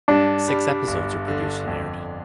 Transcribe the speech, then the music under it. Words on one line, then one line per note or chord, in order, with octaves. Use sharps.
Six episodes were produced and aired.
G2 D4
G3
G1
D3
F2